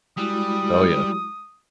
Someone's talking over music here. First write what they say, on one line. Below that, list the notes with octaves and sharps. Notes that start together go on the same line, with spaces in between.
Oh, yeah.
G3 G#3 E4 F#4 D#6